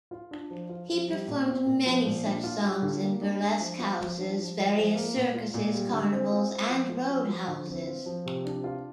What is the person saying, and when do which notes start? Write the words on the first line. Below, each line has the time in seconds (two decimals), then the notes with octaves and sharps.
He performed many such songs in burlesque houses, various circuses, carnivals, and roadhouses.
0.11 F4
0.31 D4
0.50 F3
0.69 F4
0.89 F3
1.09 G3
1.28 A#2
1.47 C4
1.66 A#2
1.86 F3
2.06 A#2
2.24 D4
2.44 F4
2.63 G3
2.82 D3
3.02 A#3
3.21 D4
3.40 D4
3.60 F3
3.79 F4
3.99 F3
4.19 D4
4.38 F3
4.58 F4
4.77 F3
4.96 A#3
5.16 A#2
5.34 F4
5.54 A#2
5.74 G3
5.93 D3
6.12 C4
6.32 F4
6.51 C4
6.70 F3
6.89 F4
7.10 F3
7.29 F3
7.48 D3
7.68 C4
7.87 F4
8.06 F3
8.26 C3
8.45 D4
8.64 F4